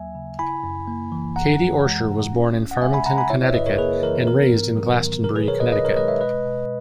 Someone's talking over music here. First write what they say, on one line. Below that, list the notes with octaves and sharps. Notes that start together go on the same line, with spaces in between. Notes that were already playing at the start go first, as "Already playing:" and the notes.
Katie Orscher was born in Farmington, Connecticut and raised in Glastonbury, Connecticut.
Already playing: D#2 F#3 A#3 E5 G#5
C#3
E4 G#5 B5
F#2
A#3
E3
F#2 F#5 A#5
F#2
G#3
C#3
C#4
C#2
F#5
G#3 E5 G#5
G#5 B5
C#3 F#5 A#5
G#5 B5
E4 C#5 E5
C#5 E5
F#2 B4 D#5
A#4 C#5
A#3 G#4 B4
E3 A#4
B3 A#4
G#2
F#3
D#3
B2 A#4
G#4 B4
B2 A#4 C#5
B4 D#5
D#4 B4 D#5
A#4 C#5
G#3 B4 D#5
C#5 E5
B2 B4 D#5
B2